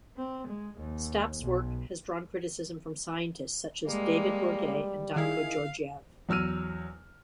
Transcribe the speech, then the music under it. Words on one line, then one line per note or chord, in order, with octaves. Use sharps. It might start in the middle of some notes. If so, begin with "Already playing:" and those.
Stapp's work has drawn criticism from scientists such as David Bourget and Danko Georgiev.
C4
G#3
D#2
B1
G3 G#3 A#3
D#3 E4 G#4 F5
E2 F#3 E6 F6 D#7